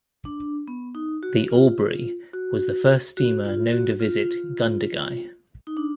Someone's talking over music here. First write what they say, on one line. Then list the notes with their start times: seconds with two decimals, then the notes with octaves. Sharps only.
The 'Albury' was the first steamer known to visit Gundagai.
0.25 D4
0.68 B3
0.95 D#4
1.23 F#4
1.50 F4
2.34 F#4
3.17 F#4
3.45 F4
3.72 F#4
4.00 F4
5.67 D#4
5.77 D4